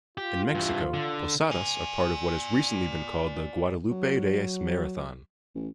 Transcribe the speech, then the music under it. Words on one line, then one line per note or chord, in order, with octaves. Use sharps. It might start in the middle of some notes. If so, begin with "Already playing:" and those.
In Mexico, posadas are part of what has recently been called The Guadalupe-Reyes Marathon.
F4 G4
G2 E3
D3
D5 G#5
F#3
A1